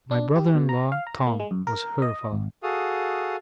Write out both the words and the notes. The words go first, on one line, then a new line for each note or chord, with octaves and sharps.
My brother-in-law, Tom, was her father.'
D4
G4
B2
A#5
F5
A#5
A#3
G#3
F#2
A#4
D#5
G#1
F#4 G#4 A4 F5 D#6